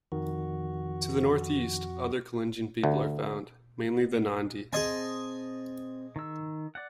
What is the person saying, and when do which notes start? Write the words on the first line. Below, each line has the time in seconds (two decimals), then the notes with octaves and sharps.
To the north-east, other Kalenjin people are found, mainly the Nandi.
0.12 F2 D#3 F#4
2.84 D2
4.73 C4 G#4 D#5 G#5 A5 C6
6.16 D#3 E6
6.75 D5 F#5